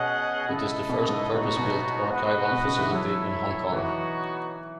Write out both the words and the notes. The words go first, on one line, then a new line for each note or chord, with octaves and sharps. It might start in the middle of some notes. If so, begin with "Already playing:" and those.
It is the first purpose-built archival facility in Hong Kong.
Already playing: B2 C#4 G#4 D#5 F#5
C#3 E4 A4 D#5
B2
C#3
G#2
A2 B3 D#4 F#4 C#5
B2
B2
F#4 B4 D#5 F#5
B2
C#3
E3
F#3 E4 A4 C#5 E5
E3 B3 D#4 F#4 C#5